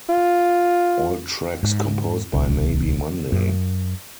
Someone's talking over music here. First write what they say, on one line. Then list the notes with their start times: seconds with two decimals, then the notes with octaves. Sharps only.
All tracks composed by Maybe Monday.
0.09 F4
1.63 G#2
2.33 D1 C2
3.32 F#2